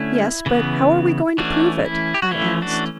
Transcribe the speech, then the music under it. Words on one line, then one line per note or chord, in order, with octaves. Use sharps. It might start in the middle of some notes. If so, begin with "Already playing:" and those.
"Yes, but how are we going to prove it?" I asked.
Already playing: D3 A3 C#4 E4
C#3 E3 B3
E3 A3 C#4 D4 F#4
E4
G4
F#4
E3 A3 C#4 E4
D4 F#4